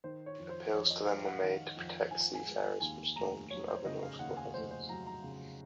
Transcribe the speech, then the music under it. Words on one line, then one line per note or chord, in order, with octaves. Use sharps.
Appeals to them were made to protect seafarers from storms and other nautical hazards.
D#3 C5
C#5
F2
C5
F2 C#5
D#5
G#3 F5
F#5
D#3
F2
F2 G#5
G#5
G#3
G#5
D#2 G#5
F1 A#5
F#3 C#5
C5
C#3 D#5
F5
D#2 F#5
G#5
F1 C5
C5
F#3 A#5
A#5
C#3